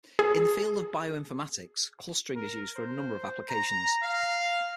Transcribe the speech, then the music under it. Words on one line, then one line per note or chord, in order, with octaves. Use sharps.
In the field of bioinformatics, clustering is used for a number of applications.
G#4
A#4
C5
A#5
F5